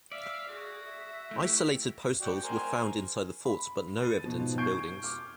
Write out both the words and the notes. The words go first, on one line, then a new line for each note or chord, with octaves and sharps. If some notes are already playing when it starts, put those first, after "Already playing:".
Isolated postholes were found inside the fort but no evidence of buildings.
D5 E5 F5
F#4 G#4
E5
A3 E4 G4
F#4 D5 G5
A#4 C5 G#5
B5
A6 D#7
G#2 B2 F3
C#6 G6 G#6 C7 D7
D6 F6